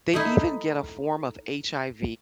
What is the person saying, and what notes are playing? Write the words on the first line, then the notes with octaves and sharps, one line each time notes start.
They even get a form of HIV
A3 D#4 E4